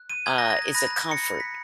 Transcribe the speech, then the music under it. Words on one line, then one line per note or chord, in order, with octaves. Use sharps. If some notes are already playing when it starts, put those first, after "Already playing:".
uh, it's a comfort,
Already playing: F#6
D#7
A#5 D#6 F#6 G#6
A#6
A#6
A#6
B5 F#6 A#6
A#6
A#6
C#7
B5 F#6 C#7
B6